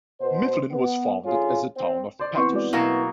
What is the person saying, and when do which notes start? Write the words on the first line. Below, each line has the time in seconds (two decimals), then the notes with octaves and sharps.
Mifflin was founded as the town of Patterson.
0.21 B2 C5
0.71 B3
1.25 D2 C#4 F4 G#4
1.77 C4
2.19 C5 D5
2.36 E3 B3 C4 C6 C#6
2.53 G#3 F#4 D5
2.73 B2 F#3 A#3 E4